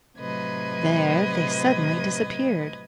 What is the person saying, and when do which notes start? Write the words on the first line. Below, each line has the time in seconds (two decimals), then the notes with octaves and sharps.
There they suddenly disappeared.
0.18 A2 C3 F#3 B4 D#5 G#6